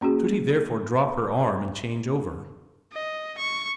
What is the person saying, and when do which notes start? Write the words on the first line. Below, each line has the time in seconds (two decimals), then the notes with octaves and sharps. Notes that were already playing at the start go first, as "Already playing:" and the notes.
Should he therefore drop her arm and change over?
0.01 A#3 C#4 F#4 G#4
2.93 D#5
3.38 C#6